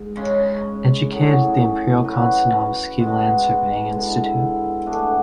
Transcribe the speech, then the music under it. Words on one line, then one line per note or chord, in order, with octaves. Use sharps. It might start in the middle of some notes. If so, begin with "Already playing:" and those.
Educated at the Imperial Konstantinovsky land surveying institute.
Already playing: G#2
C#3 G#3 C#4
A2 F#3 C#4 G#4
F#3 C#4 F#4 B4
B2 G#3 B3 F#4
D3 G#3 B3 E4
B2 A3 D4 G#4